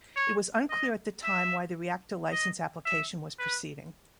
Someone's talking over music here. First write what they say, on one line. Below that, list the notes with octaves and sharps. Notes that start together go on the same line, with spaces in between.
It was unclear at the time why the reactor license application was proceeding.
C#5
D#5
E5
D#5
E5
B4